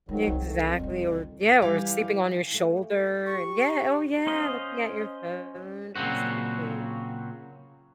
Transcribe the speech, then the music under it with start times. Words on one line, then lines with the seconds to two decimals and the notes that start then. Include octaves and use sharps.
Exactly, or Yeah, or sleeping on your shoulder, and Yeah, oh yeah, looking at your phone, exactly.
0.09 G#2 D#3 F#3 G#3
0.28 C2
0.46 A3
0.65 F2
0.79 C2 C#3
1.62 E3 G3 G4 F5 G#5
2.54 A3
3.26 G4 C#6
4.27 C#4 C5 D#5 F5
5.96 A#2 C#3 F#3 C4 F#4